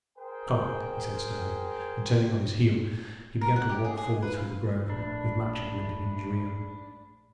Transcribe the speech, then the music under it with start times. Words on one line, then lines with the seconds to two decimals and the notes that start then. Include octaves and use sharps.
"Come," he said, sternly; and, turning on his heel, he began to walk forward through the grove, with Matcham limping in his rear.
0.19 G#4 A#4 C5 G5
3.41 A#4
3.56 F#5
3.69 G4
3.84 G#4
3.97 G#4
4.22 B4
4.35 F5
4.89 A#1 A2 A3 D4 B5